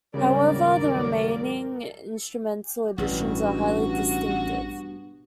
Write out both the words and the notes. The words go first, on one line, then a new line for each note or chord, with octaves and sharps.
However the remaining instrumental additions are highly distinctive.
D#2 G#2 C#3 F#3 G3 C#4 A#4 D5
A1 G2 B2 G3 F#4